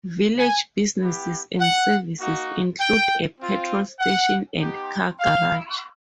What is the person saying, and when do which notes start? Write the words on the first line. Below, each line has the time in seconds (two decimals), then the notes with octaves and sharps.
Village businesses and services include a petrol station and car garage.
0.39 G#5
1.00 B3 E4 G4
1.60 F#5
2.19 A#3 D#4 F#4
2.79 G5
3.40 C4 F4
4.00 F#5
4.60 B3 D#4 G4
5.19 F5